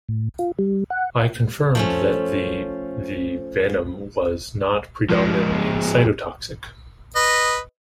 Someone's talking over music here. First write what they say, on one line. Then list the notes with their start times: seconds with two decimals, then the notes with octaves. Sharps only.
I confirmed that the the venom was not predominantly cytotoxic.
0.09 A2
0.39 F4
0.59 G3
0.90 F#5
1.75 F3 A3 C#4
5.10 F3 G#3
7.16 B4 D#5